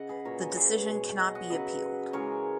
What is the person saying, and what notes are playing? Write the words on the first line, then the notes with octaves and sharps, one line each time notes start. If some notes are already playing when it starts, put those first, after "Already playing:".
The decision cannot be appealed.
Already playing: C#3 D#5 F#5
G#4 B4
A#2 F#3 A#4 C#5
G#4 B4
C#5
G#4 B4
B2 G#3
D#5 F#5
D#5 F#5
C#3 F#3 B4 D#5
C#3 E3 G#3 A#4 C#5